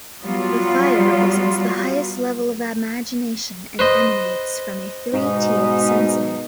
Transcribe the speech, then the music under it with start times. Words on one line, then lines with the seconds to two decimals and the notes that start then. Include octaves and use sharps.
The fire represents the highest level of imagination and emanates from a three-tiered censer.
0.23 F#3 G3 B3 F4
3.79 B4 C5 D#5
5.13 G#2 B2 D#4